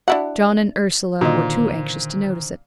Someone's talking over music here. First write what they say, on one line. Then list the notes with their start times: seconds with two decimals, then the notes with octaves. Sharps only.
John and Ursula were too anxious to notice it.
0.08 D4 E4 F#4 E5 F#5
1.21 A#2 D3 D#3 F#4 C5 D#5